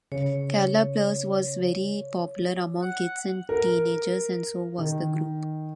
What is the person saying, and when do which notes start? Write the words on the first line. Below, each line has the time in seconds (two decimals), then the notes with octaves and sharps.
Carla Perez was very popular among kids and teenagers, and so was the group.
0.12 C#3 C#5
2.81 F#5
3.49 A#4
4.78 D#3